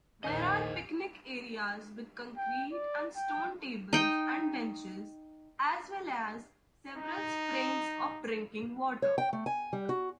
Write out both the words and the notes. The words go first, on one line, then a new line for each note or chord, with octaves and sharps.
There are picnic areas with concrete and stone tables and benches as well as several springs of drinking water.
A#1 E2 D#3 C5 D#5 G#5 G6
G5
D5
G5
D#4 G5
D#4
C#5
G5
A3
G#5
G3
F#4